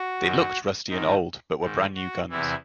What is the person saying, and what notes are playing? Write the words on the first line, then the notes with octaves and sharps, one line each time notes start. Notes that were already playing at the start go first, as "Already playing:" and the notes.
They looked rusty and old, but were brand new guns.
Already playing: F#4
F#2 D#3
G#2 D#3 D#4
G#2 D#3
F#4
E2 C3 E3 E4